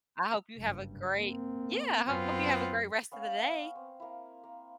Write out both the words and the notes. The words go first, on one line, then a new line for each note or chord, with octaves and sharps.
I hope you have a great, yeah, I hope you have a great rest of the day.
F#1 G2
A#3 C4
F#2 B3 C4 F4
B3 C#4 F5
B3 C#4
C4
A#3 E4
A#3